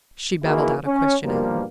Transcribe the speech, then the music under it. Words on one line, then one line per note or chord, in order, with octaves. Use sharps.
She babbled out a question at him.
D#3 E3 A#3 E4 F#4 G#4
C#4
E2 G2 B2 F3 G3 A#3